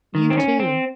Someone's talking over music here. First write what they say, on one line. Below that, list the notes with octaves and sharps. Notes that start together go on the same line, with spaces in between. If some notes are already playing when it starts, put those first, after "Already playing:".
You too.
D#3
C4
C#4
C4